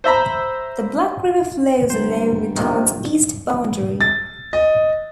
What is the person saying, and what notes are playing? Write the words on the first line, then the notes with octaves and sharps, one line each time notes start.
The Black River flows along the town's east boundary.
C5 E5 A#5 B5
G1 C5
A#1 C3 D#3 A#3
A6
D#5